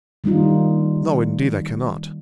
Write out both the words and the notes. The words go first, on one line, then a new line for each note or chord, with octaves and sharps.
"No, indeed, I cannot."
D#3 G3 A#3 D#4 F4